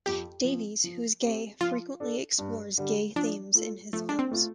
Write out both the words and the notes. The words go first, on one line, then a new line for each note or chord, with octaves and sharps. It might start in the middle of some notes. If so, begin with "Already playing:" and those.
Davies, who is gay, frequently explores gay themes in his films.
F2 G4
F3 C4
F3
C4 G4
F3 F4
D4 A4
G2
D3 G3
F3 D4
A3 F4 A4
F3 A3
D4
C4
A3 F4